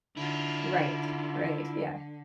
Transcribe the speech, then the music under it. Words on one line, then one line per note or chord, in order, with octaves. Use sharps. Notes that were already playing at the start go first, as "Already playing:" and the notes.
Right, right, yeah.
D3 E4 F4